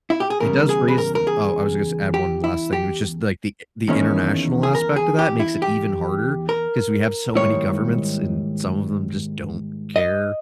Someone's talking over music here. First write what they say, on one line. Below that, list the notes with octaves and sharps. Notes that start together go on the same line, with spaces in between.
it does raise th oh, I was gonna say add one last thing, which is like, the the international aspect of that makes it even harder because we have so many governments, and some of them just don't care,
E4
G4
G#4
E2 C#3 G3 A#4
G#4
B4
A#4
A#4
G#4
G4
E4
G4
E2 D#3 A#3 C#4 E4
G#4
A#4
G#4
G4
E4
G4
A#4
G#2 D#3 G3 A#3 E4 C#5
D#5